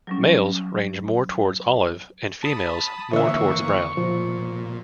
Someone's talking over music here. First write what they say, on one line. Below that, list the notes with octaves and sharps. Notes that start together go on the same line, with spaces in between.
Males range more towards olive and females more towards brown.
F#3 G3 C#4
A5 B5 D#6
D3 E3 A#3 C#5 E5 C#6
A#2 F3